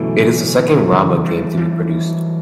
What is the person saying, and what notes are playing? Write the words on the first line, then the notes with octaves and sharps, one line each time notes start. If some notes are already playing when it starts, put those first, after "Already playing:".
It is the second Rama game to be produced.
Already playing: F#2 B2 D3 E3 A3 C#4
C#3 E3
E3 G3
E3 G3